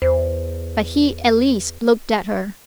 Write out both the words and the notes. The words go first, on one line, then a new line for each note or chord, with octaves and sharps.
But he at least looked at her.
E2 C5